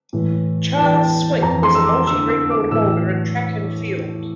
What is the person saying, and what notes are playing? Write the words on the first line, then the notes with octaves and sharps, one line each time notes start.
Charles Swink was a multi-record holder in track and field.
A2 E3
E2 E3 G5 A5
A5
F2 E3 A#5
C6
E6
D6
E2 D3 E6
E6
D6
A2 E3 E6